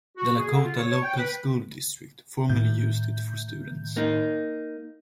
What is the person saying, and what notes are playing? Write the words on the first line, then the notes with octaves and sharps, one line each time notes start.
The Lakota Local School District formerly used it for students.
F#4
G#4
D3
F4
C#5
C#5
G5
B4
A2 D#3 G6
A#3 D#4